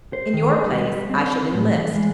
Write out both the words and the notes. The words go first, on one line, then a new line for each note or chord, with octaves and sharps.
In your place, I should enlist.
C5
D#3
G#4
G3
G3
C4
A2
E3
G#3